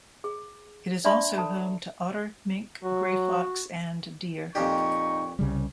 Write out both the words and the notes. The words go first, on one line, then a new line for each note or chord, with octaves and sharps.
It is also home to otter, mink, grey fox and deer.
G#4
D4 D5 E5 A5 B5 C6
A4 A5
F#3 F#4
F2 A#2 D#4 G4 C#6
C2 C#3 G3